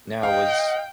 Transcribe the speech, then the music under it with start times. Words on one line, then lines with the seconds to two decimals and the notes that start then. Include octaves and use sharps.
Now was
0.23 D#5 F5 G5